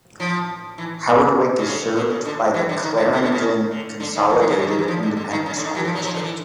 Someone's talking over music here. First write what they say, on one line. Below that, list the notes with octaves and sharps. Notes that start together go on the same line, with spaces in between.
Howardwick is served by the Clarendon Consolidated Independent School District.
F3
E3
C#3
D3
D3
C#3
D3
E3
D3
D#3
D3
C#3
D3
C#3
D3
D3
D#3
E3
D#3
C#3
D3
D#3
E3
F3
D3
D3
D#3
C#3
D3
D#3
E3
F3
F#3
F3
D3
E3